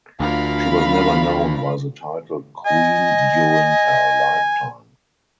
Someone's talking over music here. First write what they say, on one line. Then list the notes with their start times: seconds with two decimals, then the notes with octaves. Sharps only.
She was never known by the title queen during her lifetime.
0.20 D2 F4 A#4 F5 B5
2.66 D#5 G#5